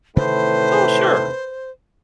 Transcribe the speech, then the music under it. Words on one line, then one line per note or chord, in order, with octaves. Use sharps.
Well, sure.
A2 C3 D#3 E3 B4 C5